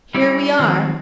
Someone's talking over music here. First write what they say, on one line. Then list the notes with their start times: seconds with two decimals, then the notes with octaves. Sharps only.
Here we are!
0.15 G3 C#4 E4 D5
0.59 D#3 F3 F#3 C4